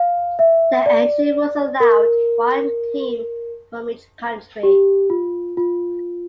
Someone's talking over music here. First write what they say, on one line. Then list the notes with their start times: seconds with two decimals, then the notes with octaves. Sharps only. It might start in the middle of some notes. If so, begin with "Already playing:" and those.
The entry rules allowed one team from each country.
Already playing: F5
0.39 E5
0.86 D5
1.80 A#4
4.63 G4
5.10 F4
5.57 F4